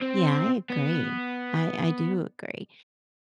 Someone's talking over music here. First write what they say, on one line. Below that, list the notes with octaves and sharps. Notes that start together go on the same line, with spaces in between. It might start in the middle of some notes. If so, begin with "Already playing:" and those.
Yeah, I agree. I I do agree.
C4
B3